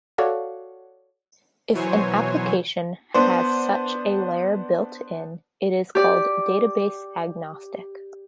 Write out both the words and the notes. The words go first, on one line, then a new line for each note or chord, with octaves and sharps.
If an application has such a layer built in, it is called database-agnostic.
F#4 A4 C#5 D5 F5 F#5
B2 E3 F#3 C5 C#5 G#5
B3 D4 C5
G4 D5